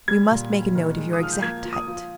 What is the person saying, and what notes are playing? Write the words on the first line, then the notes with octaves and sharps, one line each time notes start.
"We must make a note of your exact height."
G3 G#6
A#2
G3
D#3
G#3
D#6
F3 F6
G6
A#3 G#6
F3
D#6
F3